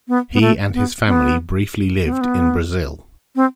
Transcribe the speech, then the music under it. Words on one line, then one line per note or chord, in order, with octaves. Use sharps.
He and his family briefly lived in Brazil.
B3
B3
A3
B3
B3
B3
C4
B3
C4